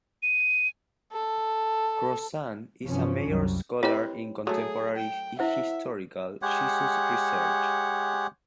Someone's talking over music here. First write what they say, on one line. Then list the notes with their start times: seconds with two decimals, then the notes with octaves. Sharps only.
Crossan is a major scholar in contemporary historical Jesus research.
0.23 D#7
1.12 A4
2.84 G2 C3 E3 F3 C#4
3.25 C2 F#2 F#3 G3
3.83 C4 E4 G4 B4 C#5 D#5
4.47 F#3 A3 G#4 A4
4.96 G5
5.39 E4 C5 E5 F#5
6.42 G#3 G4 C#5 F#5